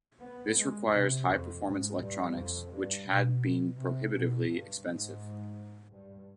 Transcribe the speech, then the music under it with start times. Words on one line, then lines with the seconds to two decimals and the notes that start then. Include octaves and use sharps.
This requires high-performance electronics, which had been prohibitively expensive.
0.20 B3
0.56 G#3
0.92 C3
1.27 F2
1.63 G#2
1.99 G2
2.34 F2
2.71 G2
3.06 B2
3.78 C3
4.12 B2
4.49 G2
4.85 G#2
5.91 G2